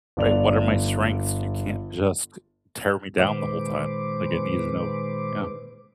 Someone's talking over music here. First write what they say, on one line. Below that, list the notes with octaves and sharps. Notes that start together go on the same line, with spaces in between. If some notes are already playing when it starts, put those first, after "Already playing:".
Right, "What are my strengths? You can't just tear me down the whole time, like, I need to know" Yeah.
G1 D5 F7
A#2 D#3 G#3 B4 C5 D6